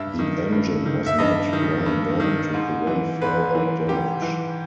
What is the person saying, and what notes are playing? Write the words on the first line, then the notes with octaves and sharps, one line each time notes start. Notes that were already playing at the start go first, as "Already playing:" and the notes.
The engine was not run again to prevent further damage.
Already playing: G2 E5
D#3
G2
D#3
E5
G2 D#5
D#3
G2
D#3
G#2
E3
G#2 B4
E3
G#2 G4
E3